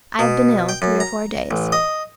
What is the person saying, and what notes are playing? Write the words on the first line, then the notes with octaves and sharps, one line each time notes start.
I have been ill three or four days.
B2
G5
F#2
A#5
A1
D#5